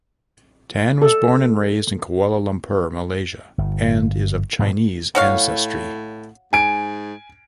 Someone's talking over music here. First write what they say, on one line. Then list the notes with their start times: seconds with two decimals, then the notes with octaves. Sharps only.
Tan was born and raised in Kuala Lumpur, Malaysia and is of Chinese ancestry.
1.02 A4
3.58 G1
4.59 G#2 B2 D3 F3
5.15 A2 F#4 C#5 F5
6.53 G#2 G#5 D7